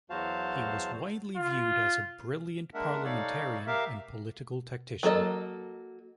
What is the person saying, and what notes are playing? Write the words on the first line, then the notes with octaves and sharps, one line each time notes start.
He was widely viewed as a brilliant parliamentarian and political tactician.
E2 F#3 F#4 C5 F5 A5
F4
G#3 A#3 D4 A#4 E5 F#5
G3 D#4 A4 C#5 D5 F5
G4 A#4 E5 F5
F#3 A#3 A4 D#5